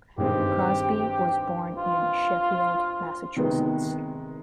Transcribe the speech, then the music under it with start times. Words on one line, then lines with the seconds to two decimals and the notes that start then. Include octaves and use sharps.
Crosby was born in Sheffield, Massachusetts.
0.18 G2 D#3 G#3 C4 G4
1.77 F4
3.36 C3 D#3 G#3 B3